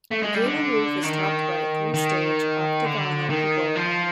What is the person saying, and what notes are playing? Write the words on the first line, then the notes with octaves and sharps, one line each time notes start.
The gable roof is topped by a three-stage octagonal cupola.
A3
G#3
G3
D3
D#3
D#3
D3
D#3
F3